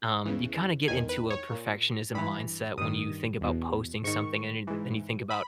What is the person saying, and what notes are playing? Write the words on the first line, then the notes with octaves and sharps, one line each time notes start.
Um, you kinda get into a perfectionism mindset when you think about posting something and you th then you think about
E2 C#3 E3
E2 D#3 G#5
B4
C#5
A#2
G2 E3 B5
G2 D#3 D#6
E2 B2
G#2 D#3 C#6
G#2 E3
B5